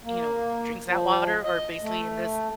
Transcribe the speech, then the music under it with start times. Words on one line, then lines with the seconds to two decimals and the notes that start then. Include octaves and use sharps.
you know, drinks that water or, basically, in this
0.04 A#3
0.86 F3
1.44 D#5
1.82 A3